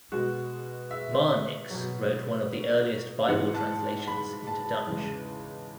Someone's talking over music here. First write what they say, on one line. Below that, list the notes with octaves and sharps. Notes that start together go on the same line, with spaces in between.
Marnix wrote one of the earliest Bible translations into Dutch.
B2 G#3 F#4
E5
B2 F#3
G#2 E3 G#3 F#5
A5
B5
A5
E2 C#3 G#3